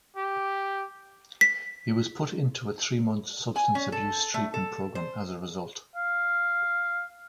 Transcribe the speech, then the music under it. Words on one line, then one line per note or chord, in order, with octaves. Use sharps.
He was put into a three-month substance abuse treatment program as a result.
G4
B6
G#5
C#4
A4
A3
A4
C5
F5